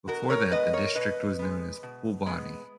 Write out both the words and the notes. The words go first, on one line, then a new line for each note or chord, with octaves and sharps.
Before that the district was known as Phulbani.
B2 F#4 A#4
A#4 C#5
G#3 B3 B4 D#5
A#4 C#5
B2 B4 D#5
G#3 B3
B2
G#3 B3